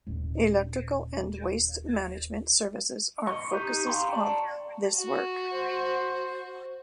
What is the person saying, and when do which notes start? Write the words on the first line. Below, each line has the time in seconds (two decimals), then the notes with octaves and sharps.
Electrical and waste management services are focuses of this work.
0.07 D#1 A#2
3.27 D#5 C#6
3.52 D#4 G4 F#6 G6
3.87 F5 G5 A#5 C6 C#6
4.13 D5 G5 A5 C#6
4.97 F#4
5.53 C5